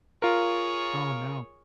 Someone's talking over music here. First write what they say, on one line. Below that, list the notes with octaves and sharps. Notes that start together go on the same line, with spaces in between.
Oh, no.
F4 G#4 A#4 C#5